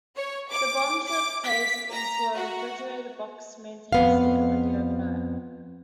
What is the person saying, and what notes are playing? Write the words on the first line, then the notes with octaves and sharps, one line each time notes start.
The bombs were placed into a refrigerated box to maintain stability overnight.
C#5
D6
D6
B6
A#5
F#4
F2 B3 F5